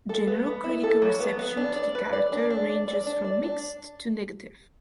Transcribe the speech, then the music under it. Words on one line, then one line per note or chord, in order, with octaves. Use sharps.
General critical reception to the character ranges from mixed to negative.
A4
B3
B3
E4
A4
F#3
B3
B3
D4
D5
B4
D5
D4
D4
D5
D5
D4
D5
D4